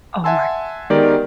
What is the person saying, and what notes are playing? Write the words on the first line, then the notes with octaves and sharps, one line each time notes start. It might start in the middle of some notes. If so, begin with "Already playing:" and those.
Oh my
E5 F#5 G#5 A5 C6 E6
D#3 G#3 B3 G4 A#4 D5